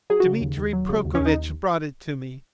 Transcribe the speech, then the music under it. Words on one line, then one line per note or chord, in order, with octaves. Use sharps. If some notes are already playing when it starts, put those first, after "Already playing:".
Dmitri Prokofitch brought it to me.
F#3 G#4
F#4
C#3
D#2
D#2
F#3
C#3
D#2
C#4
D#2
D#4